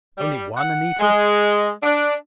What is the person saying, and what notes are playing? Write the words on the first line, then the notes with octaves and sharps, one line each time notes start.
"Only one, Anita?"
G3
F#5
G#3
D4